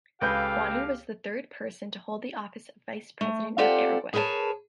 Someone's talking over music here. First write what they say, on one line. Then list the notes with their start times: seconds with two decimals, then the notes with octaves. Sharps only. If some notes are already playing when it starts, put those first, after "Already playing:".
Guani was the third person to hold the office of Vice President of Uruguay.
0.21 C#2 G4 A4 B4 F5 G6
3.21 A3
3.58 C4 F4 G4 A4 D5 F#5
4.13 G#4 A#4 B4 C#5 A5